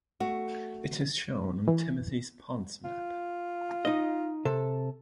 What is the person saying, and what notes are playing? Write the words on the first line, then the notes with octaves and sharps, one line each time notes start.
It is shown on Timothy Pont's map.
A3 F#4
E3
F4
D#4 D#5
C3 A4